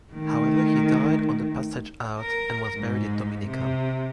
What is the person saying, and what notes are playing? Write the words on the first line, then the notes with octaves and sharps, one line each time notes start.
However, he died on the passage out and was buried on Dominica.
D#3 A3
A#4
G#2
C3